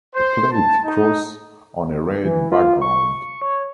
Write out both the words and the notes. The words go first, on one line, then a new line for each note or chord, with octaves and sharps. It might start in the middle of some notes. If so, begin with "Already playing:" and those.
A plate cross on a red background.
C5
A5
D#4
E3
F4
C#6
C#5